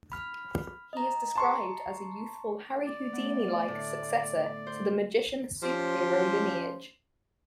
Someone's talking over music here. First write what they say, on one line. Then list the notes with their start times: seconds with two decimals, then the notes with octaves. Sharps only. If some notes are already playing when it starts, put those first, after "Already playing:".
He is described as a youthful Harry Houdini-like successor to the magician super-hero lineage.
0.12 B5 F6
0.93 D#5 A#5
1.36 A5 C6 C#6
2.86 D5
3.13 A3 B3
3.68 A2 D3
4.67 C5
5.63 F3 C#4 G4 C5